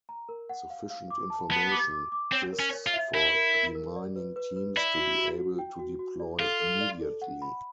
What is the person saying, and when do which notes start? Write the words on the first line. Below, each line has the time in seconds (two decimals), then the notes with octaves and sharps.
Sufficient information exists for demining teams to be able to deploy immediately.
0.09 A#5
0.29 A#4
0.50 F#5
0.70 F5
0.90 F5
1.10 D6
1.30 A5
1.51 B3 A5
1.72 D6
1.91 D6
2.12 D6
2.32 C4 C#5
2.52 A#4
2.60 C#4
2.73 C#5
2.87 F4
2.94 E5
3.14 E4 A#4
3.35 A#4
3.54 A#4
3.75 A#4
3.96 D5
4.16 B4
4.36 B4
4.56 B4
4.77 E4 D5
4.97 F#4
5.18 F#4
5.38 F#4
5.59 G5
5.79 F#4
5.99 F#4
6.20 D5
6.39 F4 A4
6.60 A4
6.81 D5
7.01 A4
7.22 F#5
7.42 B5